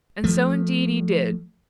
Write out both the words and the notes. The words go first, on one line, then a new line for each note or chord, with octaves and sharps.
And so indeed he did.
F3 A3